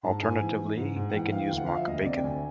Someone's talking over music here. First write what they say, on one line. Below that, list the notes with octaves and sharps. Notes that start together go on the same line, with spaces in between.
Alternatively they can use mock bacon.
G#2 A5
G#2 G#5
E3
E3
G#2
G#2
F#5
E3 G5
E3 F5
D2 G5
F#5
F3 F5
E5
D2 D#5
C3 D5
G5
D2 G#5